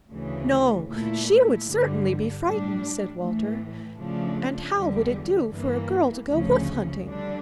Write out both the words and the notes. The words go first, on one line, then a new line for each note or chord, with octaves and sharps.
'No, she would certainly be frightened,' said Walter, 'and how would it do for a girl to go wolf-hunting?
D2 C#3 E3
A#2 A3 E4
G2 D3 G3
A2 G3 D4
A2 E3 A3
C#3 F3 A3 D4
E2 D3 G3
G2 E3 A#3
D2 C#3 F3 C#4
D3 G3 D4